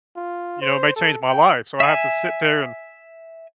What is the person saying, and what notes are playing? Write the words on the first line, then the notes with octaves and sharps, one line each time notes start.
you know, may change my life, so I have to sit there and
F4
C5
A4
G5
E5 G#5